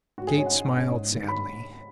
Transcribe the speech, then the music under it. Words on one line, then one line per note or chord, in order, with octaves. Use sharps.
Kate smiled sadly.
G#2 F#4
G#4
G#3 C#4 C#5
F#5
G#2
G#3 C#4
G#2
D#3 B3
B5